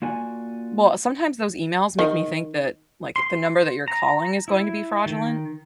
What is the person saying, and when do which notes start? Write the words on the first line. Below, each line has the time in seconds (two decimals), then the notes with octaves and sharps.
Well, sometimes those emails make me think that, like, the number that you're calling is going to be fraudulent
0.02 A#3 F4 F#4 D5 G#5
1.99 D#3
3.16 C6
3.88 A#5
4.48 E4
5.06 D#3